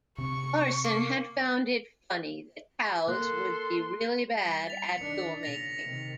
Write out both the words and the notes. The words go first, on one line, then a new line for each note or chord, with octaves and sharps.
Larson had found it funny that cows would be really bad at toolmaking.
C3 C4 C#6
A#3
A#3 A4 C6 F#6
G3
A6 B6 F7
D#3 D4 C#7
A#2 C#3 A#6 F7
C3 D#3